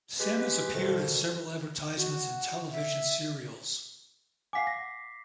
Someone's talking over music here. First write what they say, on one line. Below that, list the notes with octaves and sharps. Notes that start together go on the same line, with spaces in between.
Sami has appeared in several advertisements and television serials.
G#3 G4 B4
F2 B2 D#3
F#4
E5
F5 F#5 G#5 D6 B6 C7
A#6